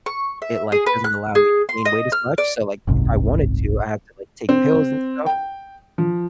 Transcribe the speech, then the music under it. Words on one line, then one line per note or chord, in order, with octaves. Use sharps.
it, like, doesn't allow me to gain weight as much, so, like, if I wanted to, I have to, like, take pills and stuff,
C#6
E5
G#4
B4
F#6
G#4
C6
D#5
F6
D5
F#1 C2 G#2 C3
C4
G5
F3